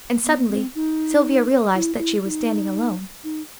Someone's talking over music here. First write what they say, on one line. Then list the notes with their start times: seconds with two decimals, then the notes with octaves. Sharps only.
And suddenly Sylvia realized that she was standing alone.
0.24 B3
0.49 C4
0.75 D#4
1.75 E4
1.98 E4
2.24 E4
2.28 D#4
3.24 D#4